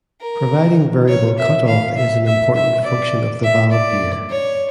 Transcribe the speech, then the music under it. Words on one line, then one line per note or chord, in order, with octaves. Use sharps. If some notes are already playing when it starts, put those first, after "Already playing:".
Providing variable cutoff is an important function of the valve gear.
A#4
C#5
E5
F5
E5
E5
E5
D5
E5
D5
C#5